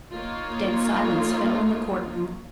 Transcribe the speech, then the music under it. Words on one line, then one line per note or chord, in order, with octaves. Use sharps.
Dead silence fell in the court-room.
A#3 D#4 F4 C#5